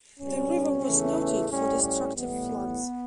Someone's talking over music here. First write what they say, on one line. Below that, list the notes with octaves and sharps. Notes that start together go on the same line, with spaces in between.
The river was noted for destructive floods.
C#2 B2 G3 C#4
E2 C#3 E3 A3
A2 G3 C#4
C#4
A2 E3 G3 B3